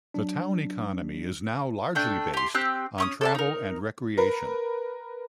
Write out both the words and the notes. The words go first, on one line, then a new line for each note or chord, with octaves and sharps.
The town economy is now largely based on travel and recreation.
F#3 D4
A3 D4 G5
G4 C6
C4 G4 E6 F#6
C#4 C#6 D#6
A4 D5 A5
D#4 A#4
A#4 B4